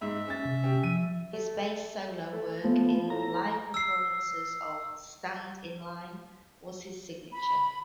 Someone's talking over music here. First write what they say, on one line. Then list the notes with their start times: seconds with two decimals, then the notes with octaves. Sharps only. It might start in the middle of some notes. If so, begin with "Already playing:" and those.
His bass solo work in live performances of "Stand in Line" was his signature.
0.01 G#2 E5
0.28 C#4 A6
0.45 C3
0.63 C#4 G4
0.83 F3 D#7
1.33 A3
2.32 A3
2.64 F3 A3 B3
3.10 A2 A#5
3.74 E6 C7
7.32 B5